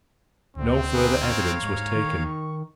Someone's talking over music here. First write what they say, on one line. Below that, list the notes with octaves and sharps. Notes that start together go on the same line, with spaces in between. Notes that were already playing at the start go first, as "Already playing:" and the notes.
No further evidence was taken.
D2 C4
A#3 G#4 B4
C#5 F5 A#5
G#2 C#6
D#3